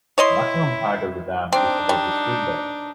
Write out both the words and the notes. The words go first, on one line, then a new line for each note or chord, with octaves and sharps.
Maximum height of the dam is above the stream bed.
E4 C#5 D#5 C6
C4 D4 D#4
G3